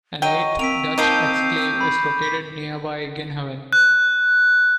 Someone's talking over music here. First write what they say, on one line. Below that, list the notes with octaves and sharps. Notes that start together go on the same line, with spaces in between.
An eighth Dutch exclave is located nearby Ginhoven.
F#3 D#5 G5 C#6 D#7
A#3 C4 B6 D7 F7
F3 A#3 D#4 D6 G6 C7 D7 D#7
B5
B6
F#6